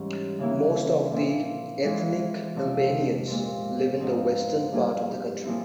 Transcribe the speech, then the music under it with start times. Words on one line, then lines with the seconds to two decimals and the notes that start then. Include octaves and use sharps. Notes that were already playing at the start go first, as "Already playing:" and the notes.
Most of the ethnic Albanians live in the western part of the country.
Already playing: G#2 E3 G3 C#4
0.39 C#3 E3 A#3 E4
1.11 A#2 F3 C4 E4
1.83 E3 G#3 C4 F4 G#4
2.55 F2 C3 F3 C4 F4
3.27 A#2 G#3 C4
4.00 G#2 F3 C4
4.72 G2 F3 A#3 F4 G#4
5.43 A#2 F3 C4 E4